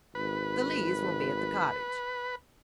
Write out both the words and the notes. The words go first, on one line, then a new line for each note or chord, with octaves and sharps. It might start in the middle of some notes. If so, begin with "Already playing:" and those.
The Lees will be at the cottage.
G#1 B4